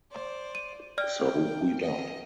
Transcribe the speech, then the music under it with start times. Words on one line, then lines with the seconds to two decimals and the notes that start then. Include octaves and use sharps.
So we die.
0.11 C5 D5
0.55 D#7
0.98 D5 G5 F6
1.81 D#5